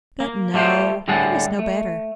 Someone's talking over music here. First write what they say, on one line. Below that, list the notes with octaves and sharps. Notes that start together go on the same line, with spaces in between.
But no; it was no better.
A#3
G3 A3 F4 G4 C5
A2 D3 G3 G#4 A4 F#5
A3